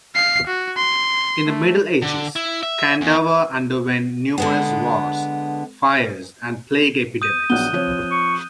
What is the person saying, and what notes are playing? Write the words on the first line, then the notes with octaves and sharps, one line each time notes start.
In the Middle Ages, Kandava underwent numerous wars, fires and plague epidemics.
F5 C7
F#4
C6
A3
D3
E4
E5
E2
D3 G#3 B3
D#6 G6 D#7
A#1 F#3 B3 F#6 G7
F3 C4 C#5
C#6